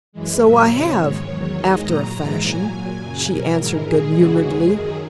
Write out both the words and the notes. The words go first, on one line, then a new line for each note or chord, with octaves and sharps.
"So I have--after a fashion," she answered, good humoredly.
F#2 E3 G#3
A#2 F#3 E5
E2 C#3 F#3 C#5
G#2 D#3 G#3 C#5
E2 D#3 F#3
E2 D#3 G#3 D#5
A#2 F#3 A#5
G#2 E3 G#3
A#2 F#3 G#5
A#2 F#3 G#5
F#2 C#3 F#3
B2 F#3 A#4
G#2 E3 G#3
A#2 G#3 G#4
E2 C#3 E3 G#3 F#4
E2 C#3 G#3 G#4
F#2 D#3 F#3